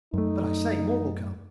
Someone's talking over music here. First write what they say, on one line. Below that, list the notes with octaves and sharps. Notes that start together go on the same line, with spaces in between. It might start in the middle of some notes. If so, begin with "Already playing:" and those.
But I say, more will come!
F#2 A3 D#4